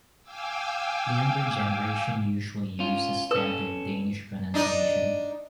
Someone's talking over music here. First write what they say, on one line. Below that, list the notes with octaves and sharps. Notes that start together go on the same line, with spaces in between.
The younger generation usually uses standard Danish pronunciation.
F5 G5 G#5 D6 E6
C#4 F4
C#4 A4 B4 E6
D4 D#4 D#5